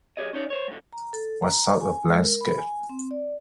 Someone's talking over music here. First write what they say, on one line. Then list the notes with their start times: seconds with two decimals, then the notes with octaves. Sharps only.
What sort of landscape?
0.17 G4 G#4 C#5 D#5
0.33 C#4 D#4 C#5 D5
0.50 C5 C#5
0.68 G#2 D3
0.93 A#5
1.13 A4
1.42 A#5
1.81 G#5
2.07 G#3
2.23 A#4
2.41 B5
2.58 G#5
2.89 C4
3.11 D5